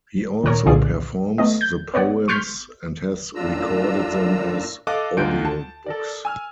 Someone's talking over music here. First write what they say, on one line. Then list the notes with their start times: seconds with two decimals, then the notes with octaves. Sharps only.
He also performs the poems, and has recorded them as audio books.
0.43 D#2 A#2 A#4 C#5
0.65 C2 A#2 D3 F4 G#4 D5
1.38 A3 B3 D#5
1.61 G6
1.94 B3 C#5 D5 F#5
2.28 C6 C#6 F6 G6 B6
3.35 F#2 A2 D4 F4 A#5 E6
4.87 A4 D#5 F5 D6 F#6
5.17 D2 D3 D#4 F4 G6 D7
5.45 A5
5.86 A4 A#4 D5
6.25 G#5 E6 F6